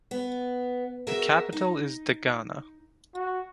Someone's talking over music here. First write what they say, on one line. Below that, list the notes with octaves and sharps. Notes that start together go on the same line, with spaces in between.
The capital is Dagana.
B3
F#4 G#4 A#4 E5
D#4
F#4